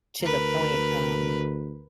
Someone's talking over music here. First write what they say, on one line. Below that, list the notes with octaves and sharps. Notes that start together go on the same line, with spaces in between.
to the point, um
D2 A#4 B4